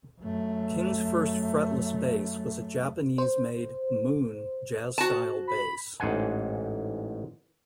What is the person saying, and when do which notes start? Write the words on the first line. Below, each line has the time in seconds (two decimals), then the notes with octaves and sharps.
King's first fretless bass was a Japanese-made "Moon" Jazz-style bass.
0.21 F#2 A3
3.18 C5
4.98 F#4 A5
5.47 B5
6.00 A1 G#2 C5 F#5 G#5